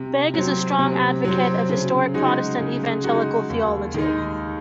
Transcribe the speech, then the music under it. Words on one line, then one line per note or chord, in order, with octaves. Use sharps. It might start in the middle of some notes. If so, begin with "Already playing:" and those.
Begg is a strong advocate of historic Protestant Evangelical theology.
Already playing: C3
F#3 C4
C3
F#3 C4
C#3
G#3 D#4 F#4
C#3
G#3 D#4 F#4
D#2
D#3 G#3 D#4